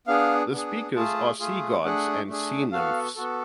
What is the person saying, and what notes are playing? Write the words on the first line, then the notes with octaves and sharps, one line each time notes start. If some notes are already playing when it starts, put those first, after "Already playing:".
The speakers are sea-gods and sea-nymphs.
B3 D4 G#4 F5
B3 D4 G#4
A3 F4 G#4 A5
A3 F4 G#4
A3 D4 G#4 F#5
A3 D4 G#4
B3 F#4 A4 F5
B3 F#4 A4